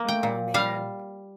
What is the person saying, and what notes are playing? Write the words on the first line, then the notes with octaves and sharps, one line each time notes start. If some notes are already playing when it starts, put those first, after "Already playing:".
Oh, man.
Already playing: A#3
G5
A#2
G3 F5